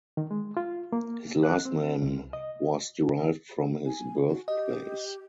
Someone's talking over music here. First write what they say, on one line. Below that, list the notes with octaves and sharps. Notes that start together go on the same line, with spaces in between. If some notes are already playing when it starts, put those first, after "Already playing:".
His last name was derived from his birthplace.
D#3
G#3
F4
A#3
F#6
C4
C2
D#5
G#5
F#4
G4 D#5